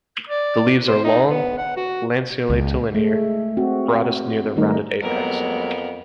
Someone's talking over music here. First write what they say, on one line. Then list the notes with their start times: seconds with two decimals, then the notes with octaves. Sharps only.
The leaves are long, lanceolate to linear, broadest near the rounded apex.
0.29 D5
0.88 C5
1.04 D#4
1.29 B3
1.58 F#5
1.77 F#4
2.50 C#2
2.94 G#3 A3
3.57 C4 F#4
4.56 D#3 G3 A3 D#4 A#4
5.02 F2 F#3 G#3 A#3 B3 A#4